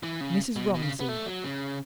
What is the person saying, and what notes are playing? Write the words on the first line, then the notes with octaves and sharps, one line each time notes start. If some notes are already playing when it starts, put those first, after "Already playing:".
Mrs. Romsey.
E3
C#3
B2
B2
C#3
B3
A3
F#3
C#3